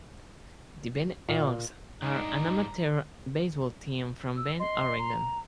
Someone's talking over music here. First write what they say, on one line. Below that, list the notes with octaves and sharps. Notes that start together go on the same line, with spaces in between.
The Bend Elks are an amateur baseball team from Bend, Oregon.
A#2
G#2 D4 D#4 A#5
E6
D#5 C6
A#5